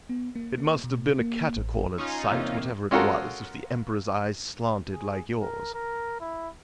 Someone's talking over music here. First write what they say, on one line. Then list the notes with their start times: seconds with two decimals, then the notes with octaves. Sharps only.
"It must have been a catacornered sight, whatever it was, if the Emperor's eyes slanted like yours."
0.09 B3
0.35 A#3
0.58 A#3
0.84 B2
1.20 A#3
1.57 A1
1.98 C#4 D#4 F4
2.30 E2 C3 A#3
2.91 G#3 C#4 F4 F#4 A4 A#4
4.93 G#4
5.41 A#4
5.74 A#4
6.20 E4